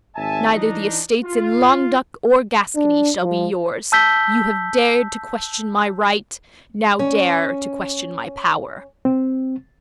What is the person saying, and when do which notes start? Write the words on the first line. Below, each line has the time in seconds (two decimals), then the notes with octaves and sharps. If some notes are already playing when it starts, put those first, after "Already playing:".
Neither the estates in Languedoc, or Gascony, shall be yours; you have dared to question my right,--now dare to question my power.
0.15 G#1 E5 G#5 A5
0.54 E3 D4 D#4
1.25 F4
2.76 D4
3.21 F3
3.92 A5 E6 G6 B6 G7
6.99 C#4
9.05 C4